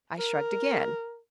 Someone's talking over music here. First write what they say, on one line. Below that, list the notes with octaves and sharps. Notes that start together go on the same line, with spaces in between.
I shrugged again.
A#4